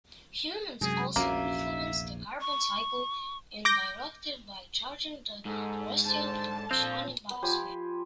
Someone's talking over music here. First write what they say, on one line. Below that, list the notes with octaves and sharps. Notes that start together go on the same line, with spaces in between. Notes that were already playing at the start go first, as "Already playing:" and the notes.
Humans also influence the carbon cycle indirectly by changing the terrestrial and oceanic biosphere.
F#2 C3 F#3 G#3 G#4
A#1 E2 C3 A#3 C#4 F#4 E5
C#6
D6 G6 A#6
G#2 A4
D3 C5 A5
A#2 C4 C5 F5
B3
F3 G4 C5 G#5